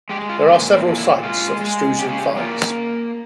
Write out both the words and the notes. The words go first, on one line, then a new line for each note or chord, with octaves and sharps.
There are several sites of Etruscan finds.
G#3 G4
F4
A#2 C4
C4
A#2
E4
G#3 F4
G#3
C#3 G4
G#4
G4
A#3 F4